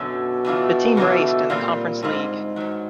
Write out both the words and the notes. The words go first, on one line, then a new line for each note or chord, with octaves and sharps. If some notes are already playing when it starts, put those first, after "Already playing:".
The team raced in the Conference League.
Already playing: F#2 B2 D3 F#3 A3 C#4
C#3 E3 A3 D4 F4
C#3 E3 A3 D4 F4
A#2 D3 G3 C4 F4
G#2 D3 G3 C4 F4
G2 D#3 F#3